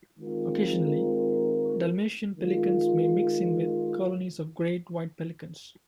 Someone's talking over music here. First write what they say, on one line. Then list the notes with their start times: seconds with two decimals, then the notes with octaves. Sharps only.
Occasionally, Dalmatian pelicans may mix in with colonies of great white pelicans.
0.18 D#3 G#3 C4 F4 A#4
2.37 D#3 G#3 F4